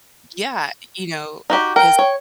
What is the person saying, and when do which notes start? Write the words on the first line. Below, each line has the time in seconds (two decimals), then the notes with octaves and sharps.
yeah, you know, it's,
1.50 D#4 F#4 G4
1.76 A#4 G5
1.99 C#5